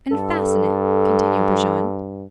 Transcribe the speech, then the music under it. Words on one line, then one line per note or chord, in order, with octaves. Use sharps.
"And fasten it," continued Brujon.
G2 A4